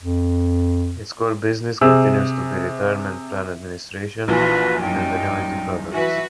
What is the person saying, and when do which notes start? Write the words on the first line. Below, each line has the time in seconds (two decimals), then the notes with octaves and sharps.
Its core business continues to be retirement plan administration and annuity products.
0.03 F2
1.81 C3 G#4 E6
4.28 A#1 A#2 E3 F4 F#4 B4
4.81 F#2 G3 D#4 G5
5.94 E3 F#4 B4 E5